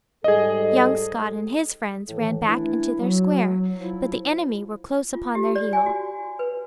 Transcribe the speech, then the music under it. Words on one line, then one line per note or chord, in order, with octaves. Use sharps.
Young Scott and his friends ran back into their square, but the enemy were close upon their heels.
G#2 G3 G#4 A4 D#5
A2 D#3 E3
E3 A3 D4 E4
F#3
F3 E4 F4
F4
G4
D5
G#5
F#4
B4